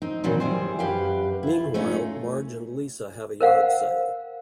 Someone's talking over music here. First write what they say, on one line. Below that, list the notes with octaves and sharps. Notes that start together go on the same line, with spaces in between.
Meanwhile, Marge and Lisa have a yard sale.
C4 D#4
A#2 D#3 E3 F#3 C4
E3 G3 G#4 C5
F#2 G4 B4 F5
E4 F4
A3 C#4 D#4 F4
A#4 C5 F5 F#5